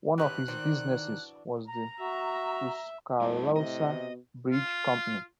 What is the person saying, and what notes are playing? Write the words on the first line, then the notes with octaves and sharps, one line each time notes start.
One of his businesses was the Tuscaloosa Bridge Company.
G#1 D#3 E3 F#3 G4 B4 F#6
D#3 E3 D4 F#4 C5 D5
A#5
F#4 E5
F2 A2 G3 D#5 A5
C3 D#5
B2
F4